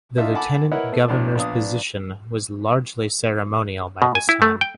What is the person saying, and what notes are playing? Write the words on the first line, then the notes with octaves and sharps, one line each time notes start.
The lieutenant governor's position was largely ceremonial by this time.
D4 D#4 F4 E5
A4 F#5 G#5 A5 B5 D6
E4 A#4 B4 C#5 D#5 F#5
A3 B3
A#1 A2 D4
A#1 B3 D4 F5 D#6
B2
G#5
E4
A3
G5